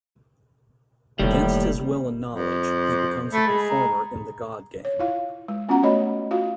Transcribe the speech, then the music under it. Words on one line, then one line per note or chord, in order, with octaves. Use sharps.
Against his will and knowledge, he becomes a performer in the godgame.
F1 D#2 A2 G3
F2
A3 B5
G#3
A#5
C#5
E4 F4 F5
G#3
B3 C#4 F4 F#4 F#5 A#5
A3 F#4 C#5 D#5 B5
F4 F#4 F5